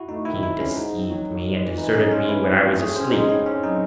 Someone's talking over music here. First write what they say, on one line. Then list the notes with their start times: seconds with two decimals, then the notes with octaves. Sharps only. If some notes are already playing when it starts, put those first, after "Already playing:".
She deceived me, and deserted me when I was asleep.'
Already playing: E4 F#4
0.09 A3 D#4
0.25 D#3 E4
0.43 C4 E4
0.60 G#3 C#4
0.76 G#2 D#4
0.93 C4
1.10 F#3
1.27 A2
1.44 G#3
1.61 E3
1.77 E3 D#4
1.94 C#4 D#4
2.11 G#3 C#4
2.28 E3 E4
2.45 C4
2.53 F#4
2.62 A3
2.79 A2 G#4
2.96 C#4 C5
3.12 G#3 D#4
3.29 A2 C#4
3.46 C4 C#4
3.62 F#3 D#4